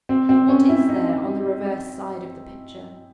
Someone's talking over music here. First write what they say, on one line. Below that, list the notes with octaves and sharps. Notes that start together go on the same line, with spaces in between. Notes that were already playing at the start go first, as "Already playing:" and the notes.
What is there on the reverse side of the picture?
C4
C4
C#4
E4
D#4